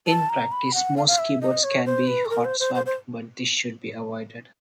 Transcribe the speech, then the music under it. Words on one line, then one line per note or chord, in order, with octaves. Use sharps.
In practice most keyboards can be hot swapped but this should be avoided.
A5
A#5
B5
F#5
F5
F5
E5
D#5
C#5
C5
B4
A4
A#4
C5
C5
C5
C5